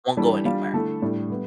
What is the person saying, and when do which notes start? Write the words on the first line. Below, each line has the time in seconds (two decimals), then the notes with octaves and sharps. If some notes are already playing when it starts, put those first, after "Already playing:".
won't go anywhere,
0.17 E3 G3 D4 A4
0.45 G3 D4 F4
0.73 D3 A3 E4 A4
1.02 A2 G3 D4
1.30 G3 B3